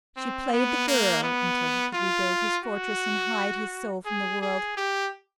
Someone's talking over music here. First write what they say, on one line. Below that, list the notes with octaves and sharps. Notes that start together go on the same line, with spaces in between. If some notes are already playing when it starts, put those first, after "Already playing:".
She played the girl, until he could rebuild his fortress and hide his soul from the world.
C4
B3
A#3
B3
F4
F#4
G#4
G#4
G4